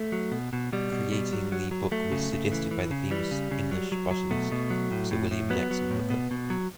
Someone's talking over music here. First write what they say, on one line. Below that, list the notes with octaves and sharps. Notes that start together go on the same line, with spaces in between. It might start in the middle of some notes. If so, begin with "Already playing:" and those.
Creating the book was suggested by the famous English botanist Sir William Jackson Hooker.
Already playing: A3
F#3
B2
B2
B2 G3
B2
B2
F#3
F#3
F#3
F#3 A3
C#3
C#3
E3
E3
C#3
E3 G3
C#3
C#3
F#3
F#3
F#3
B2 A3
B2
F#3
A2
A2
A2
F#3 B3
F#3
A2
B2
B2
F#3